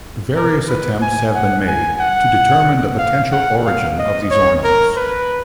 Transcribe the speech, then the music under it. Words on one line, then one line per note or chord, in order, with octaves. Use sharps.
Various attempts have been made to determine the potential origin of these ornaments.
A#4
B4
G#5
F#5
G#5
F#5
F5
F#5
F5
D#5
C#5
A#4
B4